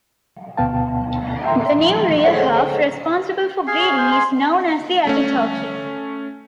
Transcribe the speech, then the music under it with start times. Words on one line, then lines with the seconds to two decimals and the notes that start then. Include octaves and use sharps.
The new rear half, responsible for breeding, is known as the epitoke.
0.57 D2 B2 B3 F5 G5 A5
1.44 E5 G5 A#5 C6
2.24 G#4 A4 C5 C#5 D#5 F#5
3.67 G#4 F5 G#5
3.80 C#5
3.98 C5
4.12 C6
5.07 A3 C#4